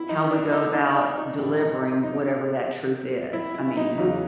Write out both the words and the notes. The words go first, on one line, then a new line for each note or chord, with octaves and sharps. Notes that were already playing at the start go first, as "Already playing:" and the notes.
how we go about delivering whatever that truth is. I mean,
Already playing: E4
D#4
D4
D#4
D#4
D4
D#4
A2 E3 G3
D#4
D#4
D#4
E4
E4
D#4
E2 C#3 F#3 D#4